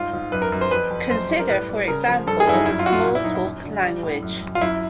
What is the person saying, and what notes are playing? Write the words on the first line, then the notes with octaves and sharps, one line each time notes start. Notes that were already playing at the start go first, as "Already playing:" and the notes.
Consider for example the Smalltalk language.
Already playing: G#2 G3 F4
G#2
F#2 B4
A#4
F#2
C5
F2 B4
F2
F#2 C5
G3
A#4
A2 B4
G3
C#3 A#4
F3
G2 A4
G#4
G2 E4
D#4
F#2 E4
F4
F#2 F#4
F4
A#2
E4
F#3 D#4
E4
F#2
D3
G3
A2
F#2
F#2
F4
F#2 E4